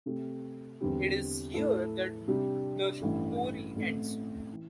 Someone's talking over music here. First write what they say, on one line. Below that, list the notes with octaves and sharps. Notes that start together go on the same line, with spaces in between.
It is here that the story ends.
C3 A3 C4 G4
E2 D3 G3 C4 G4
A2 A3 E4 A4
C3 G3 D4 G4
A1 G2 E3 A3
A1 A2 A3 C4
E3